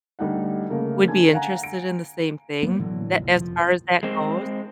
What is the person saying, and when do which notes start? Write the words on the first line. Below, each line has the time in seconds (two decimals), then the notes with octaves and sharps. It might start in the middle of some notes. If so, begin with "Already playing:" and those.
would be interested in the same thing that as far as that goes.
0.19 D2 G3 D#4 F#5
0.70 C#3 A3 A#3 A#4
1.08 D3 D4 G#5 G#6
1.33 F5 F#5 G#5 A#5
1.63 D7
2.63 F#3 A#3 B3
2.79 A2 D3 E3 F#3
3.18 F1 B1 A#2
3.34 F1 A2 F3
4.03 G#3 C4